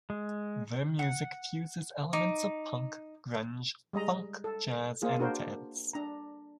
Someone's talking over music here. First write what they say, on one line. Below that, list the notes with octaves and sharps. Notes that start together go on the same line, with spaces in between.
Their music fuses elements of punk, grunge, funk, jazz and dance.
G#3
F#5
D#4 D6
G3 G#3 D#5 A#5
A4
A#3 F4 G#4
D4 F#4 A#4 C5
D4 A#5